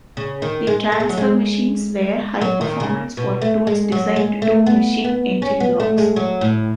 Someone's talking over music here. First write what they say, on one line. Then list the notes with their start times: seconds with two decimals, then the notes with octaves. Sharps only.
The transfer machines were high-performance work tools designed to machine engine blocks.
0.17 C#3
0.42 D#3
0.67 G#3
0.92 A3
1.00 G#3
1.09 F#3
1.17 G#3
2.41 F#3
2.61 D#3
2.80 C#3
3.17 B2
3.42 A3
3.67 G#3
3.92 F#3
4.16 G#3
4.42 A3
4.66 B3
5.04 B3
5.42 C#4
5.60 B3
5.80 A3
5.98 G#3
6.16 F#3
6.41 A2